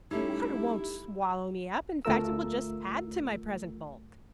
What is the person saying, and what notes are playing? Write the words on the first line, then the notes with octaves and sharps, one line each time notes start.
"The water won't swallow me up; in fact, it will just add to my present bulk."
G3 A3 C#4 D#4 E4 G4
D2 A3 F4 A#4 E6